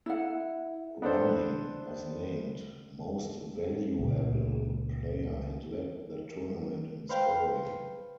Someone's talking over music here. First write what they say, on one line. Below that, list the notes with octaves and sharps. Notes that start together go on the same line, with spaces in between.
Ronning was named Most Valuable player and led the tournament in scoring.
E4 F#5
B3 D4 A4 C5
C#2 A#2
B4 C5 F5 G5